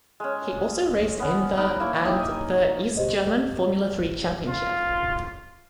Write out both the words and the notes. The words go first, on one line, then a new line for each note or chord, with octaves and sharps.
He also raced in the and the East German Formula Three Championship.
G#3 C#4
B3 C#4
D#4 A#4 B4
A#3 E4 C#5
D#4 G4 E5
D#5 G#5
G4 C5 D#5
F4